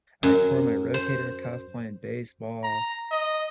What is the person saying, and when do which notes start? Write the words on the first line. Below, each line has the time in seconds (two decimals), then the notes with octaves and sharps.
I tore my rotator cuff playing baseball,
0.23 F#2
0.94 C5
2.63 A#5
3.11 D#5